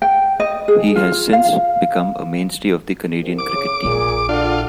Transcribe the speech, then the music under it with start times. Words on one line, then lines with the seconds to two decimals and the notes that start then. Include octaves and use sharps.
He has since become a mainstay of the Canadian cricket team.
0.02 G5
0.40 D#5
0.68 G#4
0.96 F4
1.33 F5
3.21 C2
3.39 D6
3.55 C#3
3.85 A#1 A#2 G#4
4.29 D4 F4 A4 D5 F#5